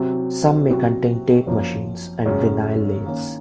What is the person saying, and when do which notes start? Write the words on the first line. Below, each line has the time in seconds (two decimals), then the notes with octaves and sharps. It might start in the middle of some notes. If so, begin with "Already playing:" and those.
Some may contain tape machines and vinyl lathes.
Already playing: C3 F#3 C4 F#4
0.68 C3 F#3 C4 F#4
1.47 F#2 F3 A#3
2.26 F#2 C#3 G#3 C#4
3.04 D#3 A#3 C#4